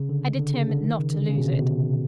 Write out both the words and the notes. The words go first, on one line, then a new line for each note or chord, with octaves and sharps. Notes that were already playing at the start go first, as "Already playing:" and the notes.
I determined not to lose it.
Already playing: C#3
D3
D3
C#3
D3
D#3
C#3
D3
C#3
B2
C3
B2